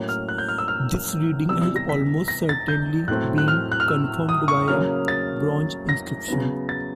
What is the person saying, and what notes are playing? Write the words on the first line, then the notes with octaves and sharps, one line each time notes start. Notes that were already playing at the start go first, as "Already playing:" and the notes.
This reading has almost certainly been confirmed by a bronze inscription.
Already playing: A2 F#3 A#3 C#4
F6
F#6
G6
F6
E6
F6
C3 E3 G3 B3 E6
E6
A#6
B6
A#6
A6
G6
A2 F#3 A3 C4 F#6
F#6
F6
F#6
F6
E6
D#6
C#6
C#3 F#3 A#3 C#4 F6
A6
A#6
C#3 F#3 B3
A6